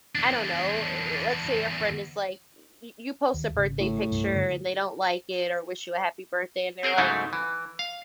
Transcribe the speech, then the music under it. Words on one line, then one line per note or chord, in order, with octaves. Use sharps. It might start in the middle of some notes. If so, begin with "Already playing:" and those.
I don't know. L let's say your friend is, like, you you post a birthday picture and they don't like it or wish you a happy birthday, and they're, like,
E2 D4
D#2
G#1 C#3
A2
C2 G2
G2 D3
C4 G#4 A#4 C5
G#2 C#3 F#3 A3 D#4 E4
E3
F5